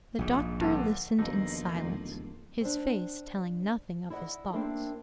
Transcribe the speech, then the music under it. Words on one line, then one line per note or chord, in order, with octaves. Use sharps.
The doctor listened in silence, his face telling nothing of his thoughts.
A#1 G#2
G2 D3
A#1 D#2 B2 F3 A#3 D#4 A4
D1
C4 D4
E4 D5 D#5 F#5
A#3 C4 D4 E4 A#4